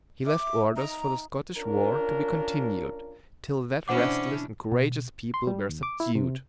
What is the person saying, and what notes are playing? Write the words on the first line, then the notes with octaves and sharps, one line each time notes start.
He left orders for the Scottish war to be continued till that restless and courageous people were subdued.
E5 D6
D#4 A#5
C#4 D4 F4 A#4
B2 E3 C#4 D4 E4 C5 F#5 D6
B2
C6
G3
D#2
D6
E4
C3